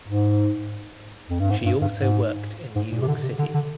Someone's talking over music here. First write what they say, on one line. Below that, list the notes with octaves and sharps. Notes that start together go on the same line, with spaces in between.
She also worked in New York City.
G#2
F2
G2
G#2
G2
G2
G#2
G#2
A#2
C3
D3
C3
D3
D3